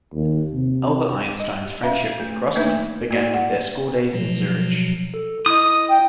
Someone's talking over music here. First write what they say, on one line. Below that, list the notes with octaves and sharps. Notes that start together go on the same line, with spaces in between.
Albert Einstein's friendship with Grossmann began with their school days in Zurich.
D#2
C3
D#5
C#4 B4 E5 F5
A3
A3 A#3 D4 D#4 B4 E5
A#3 F#4 D5
F#5
B2 F3 F#3
A4
E4 D#5 D#6
G5